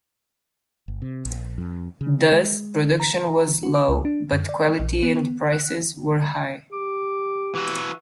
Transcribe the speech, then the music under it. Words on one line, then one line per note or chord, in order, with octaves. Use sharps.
Thus, production was low, but quality and prices were high.
G1
C3
A#1
F2
C#3
G#3
A#5
F#4
D6
C#2
D4
F#2
D5
A#1
B3
F#6
G4 D6
E3 F#4